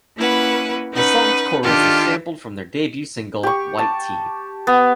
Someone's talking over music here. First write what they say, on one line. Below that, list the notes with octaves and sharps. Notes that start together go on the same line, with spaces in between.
The song's chorus is sampled from their debut single "White Tee".
A#3 C#4 E4 B4 F#5
C#4 D#4 B4 F#5
D#3 D4 F4 G4 A4
G4 C#6
A5
B3